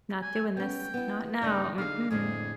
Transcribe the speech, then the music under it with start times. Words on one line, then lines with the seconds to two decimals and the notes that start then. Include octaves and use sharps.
Not doing this. Not now. Mm-mm.
0.22 G#5
0.57 B3 C#4 G5
0.94 B3 E4
1.42 G2 C#3 D#4 G5
1.78 D3 D#4 G#4 F5
2.11 F2 A2 D3 G#4